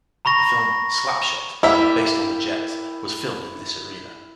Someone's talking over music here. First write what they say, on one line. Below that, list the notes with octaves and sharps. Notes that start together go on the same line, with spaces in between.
The film "Slap Shot", based on the Jets, was filmed in this arena.
A#5 B5 C#6 A#6
G3 A#3 E4 E5